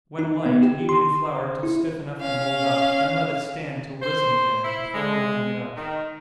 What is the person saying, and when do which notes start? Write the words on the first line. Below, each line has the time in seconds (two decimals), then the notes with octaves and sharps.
When light, knead in flour till stiff enough to mould up, then let it stand till risen again, before moulding it up.
0.19 D#4
0.46 B3
0.63 G4
0.89 C6
1.35 C5
1.63 E4
2.20 C#4 F5
4.02 C5
4.64 E4
4.94 G#3
5.76 D#3